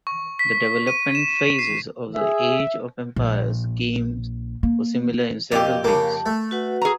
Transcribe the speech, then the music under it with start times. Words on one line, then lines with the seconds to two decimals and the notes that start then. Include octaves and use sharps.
The development phases of the "Age of Empires" games were similar in several ways.
0.07 C#6
0.39 B6
0.87 D#7
1.15 E7
1.59 C7
2.15 G#4 E5
3.16 A#1
4.63 A#3
5.52 F2 G4 A#4 D5 D#5 F5
5.84 C#3 A#3 A5
6.26 A3
6.51 F#4 B4 F#5
6.82 G#4 A#5